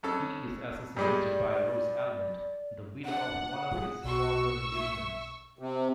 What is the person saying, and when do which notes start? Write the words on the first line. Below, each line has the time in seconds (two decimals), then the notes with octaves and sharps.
He is assassinated by Rose Almond, the widow of one of his former lieutenants.
0.03 F2 C#4 A4
0.97 G2 G3 G#3 D5
3.05 D4 F#5
3.72 F4 G#4
4.04 B1 B2 F#4 C#6 E6
4.74 E5
5.59 C3